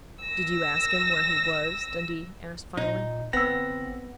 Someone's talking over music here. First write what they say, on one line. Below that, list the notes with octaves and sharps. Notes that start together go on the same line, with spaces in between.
"Did you ask him where he was?" Dundee asked finally.
E6 A#6
A#2 D#4
G1 B3 C4 E6 A#6